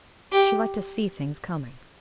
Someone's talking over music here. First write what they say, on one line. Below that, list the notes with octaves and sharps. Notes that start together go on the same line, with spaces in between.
She liked to see things coming.
G4